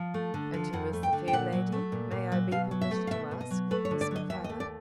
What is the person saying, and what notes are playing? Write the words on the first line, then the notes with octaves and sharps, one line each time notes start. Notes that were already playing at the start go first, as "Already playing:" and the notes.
'And who is the fair lady, may I be permitted to ask, Miss Mac- Ivor?'
Already playing: F3
A3
D3
F3
F2 F#5
A3
G5
D3
G5
A#2 F#5
F#3
A3
A#2
A#2
F#3
B2 F5
F#3
E5
A3
F5
B2 E5
B2
D#5
F#3
A3 B4
C#5
D3
D5
F#3 D#5
D#2 E5
D#5
A3
D5